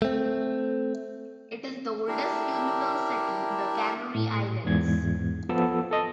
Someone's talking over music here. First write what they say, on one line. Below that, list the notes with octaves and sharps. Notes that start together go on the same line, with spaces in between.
It is the oldest university in the Canary Islands.
A3 C4
D4 E4 G4 A#4
A2
E2 G#2 G#6
F3 B3 A4 E6
A4 D#5